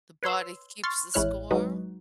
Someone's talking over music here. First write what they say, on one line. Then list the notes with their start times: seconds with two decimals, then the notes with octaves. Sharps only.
The Body Keeps the Score?
0.23 B4 C#5 C6 E6
0.84 C6 C#6 F6 A6
1.14 A1 G#3 E4 C#5 F6 F#6
1.51 F#3 G#3 D#4 F#4 B4